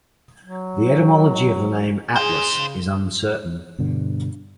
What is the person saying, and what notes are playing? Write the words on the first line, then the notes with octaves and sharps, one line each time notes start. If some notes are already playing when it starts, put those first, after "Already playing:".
The etymology of the name "Atlas" is uncertain.
F#3
D#4 G#4 C5
C#3
G2 B2 D3